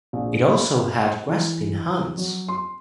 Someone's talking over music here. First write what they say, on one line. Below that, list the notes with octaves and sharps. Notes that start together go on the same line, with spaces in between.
It also had grasping hands.
A#1
B5
E3
F#3
C6